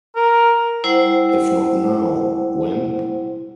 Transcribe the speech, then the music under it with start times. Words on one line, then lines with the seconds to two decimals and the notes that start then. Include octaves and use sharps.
If not now, when?
0.16 A#4
0.84 G3 E4 C5 F#5